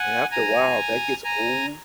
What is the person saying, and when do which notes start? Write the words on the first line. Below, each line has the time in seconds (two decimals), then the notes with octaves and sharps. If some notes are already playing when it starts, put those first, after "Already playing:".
And after a while, that gets old,
Already playing: F#5 G#5
0.31 G#5 A#5
1.24 G#5 A#5